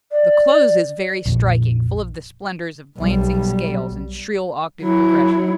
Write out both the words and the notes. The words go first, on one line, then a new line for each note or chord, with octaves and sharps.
The close is very striking, full of the splendors of glancing scales and shrill octave progressions.
D5
A#1 F2
B1 G3
F#3 E4